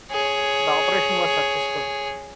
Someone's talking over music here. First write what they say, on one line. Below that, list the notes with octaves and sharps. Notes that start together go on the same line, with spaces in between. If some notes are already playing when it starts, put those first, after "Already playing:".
The operation was successful.
G#4 C#5